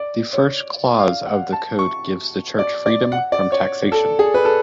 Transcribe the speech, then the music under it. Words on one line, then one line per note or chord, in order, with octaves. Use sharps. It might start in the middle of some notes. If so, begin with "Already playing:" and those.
The first clause of the code gives the Church freedom from taxation.
Already playing: D5
C#5
F5
F#5
A5
C#6
D5
D5
F#5
D5
C#5
A4
G#4
B4
A4